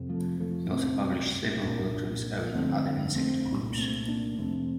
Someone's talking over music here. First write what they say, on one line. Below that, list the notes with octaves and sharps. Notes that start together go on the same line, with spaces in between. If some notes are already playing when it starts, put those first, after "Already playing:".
He also published several works of his own on other insect groups.
Already playing: F2 C3
F3 A3
F3 A3
C2 C3 A3 C4
C2 A#2 A#3 D4
F2 D3 A3 C4
A3 C4
C2 A#2
A3 C4
A#3 D4
F2 C3 A3 C4